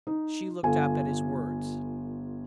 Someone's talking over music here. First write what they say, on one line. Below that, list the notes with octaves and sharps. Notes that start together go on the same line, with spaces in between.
She looked up at his words.
D#4
G1 F4 A4 G#5